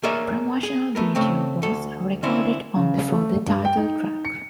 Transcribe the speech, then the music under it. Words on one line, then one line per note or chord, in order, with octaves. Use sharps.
Promotional video was recorded only for the title track.
A#3 G#4 A#4 C#5 D5 E5
G#4
A3 B3 A#4
C#3 A3 C4
D2 A4
D3 C4 C#4 E4
C#3
A3
G2
G5
D#4
C#7